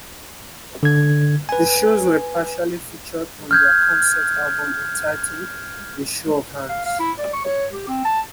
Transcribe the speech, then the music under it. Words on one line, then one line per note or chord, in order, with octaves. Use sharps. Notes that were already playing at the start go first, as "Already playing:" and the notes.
The shows were partially featured on their concert album, entitled "A Show of Hands".
D3 G#6
B4 G#5
F6 G6 G#6
F5
F5
E4
D5
C#6
C#5
G4
C4
A5